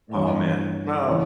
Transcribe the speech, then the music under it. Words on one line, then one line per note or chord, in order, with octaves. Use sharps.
Aw, man. No.
G2 E3 G3 C#5
C#3 E3 C#5